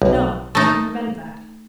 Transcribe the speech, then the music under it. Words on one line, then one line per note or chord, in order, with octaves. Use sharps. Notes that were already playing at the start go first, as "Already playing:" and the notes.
"No, I can prevent that."
B1
A3 D#4